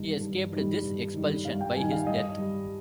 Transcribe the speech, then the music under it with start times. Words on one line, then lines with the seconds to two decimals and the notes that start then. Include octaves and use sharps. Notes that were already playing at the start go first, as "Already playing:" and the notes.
He escaped this expulsion by his death.
Already playing: G2 D#3 G3
0.20 G2
0.52 D#3 G3
0.83 G2
1.14 D#3 G3
1.45 G2 F5
1.61 G5
1.76 D#3 G3 G#5
1.91 F5
2.07 G2 D#5
2.38 G3